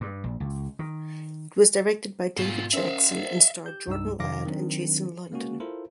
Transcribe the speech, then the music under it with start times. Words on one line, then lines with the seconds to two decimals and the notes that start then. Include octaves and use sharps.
It was directed by David Jackson and starred Jordan Ladd and Jason London.
0.01 G2
0.24 A#1
0.40 C#2
0.79 D#3
2.37 G#2 B2 F4
2.73 C#4 A#4 C5 E5 F5
3.66 G4 G6
3.87 C2 G2 D#4 E6
4.20 F2 C3 D#3 F5 D6 A#6
4.45 D#3 F#3 C4 D4
5.32 G#3 A#3 C#4 F#4
5.60 E4 F4 A4 A#4 C5